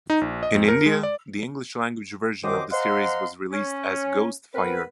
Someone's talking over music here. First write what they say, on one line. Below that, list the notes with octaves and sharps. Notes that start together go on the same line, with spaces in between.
In India the English-language version of the series was released as "Ghost Fighter".
D#4
A#1
D#5
F2
A#4
G#3
D5
C2 F#2 D#3 C5 D#5 D6
C5 D#5 F5 F#5 A#5 C6
C#4
B3 C4 A#4 B4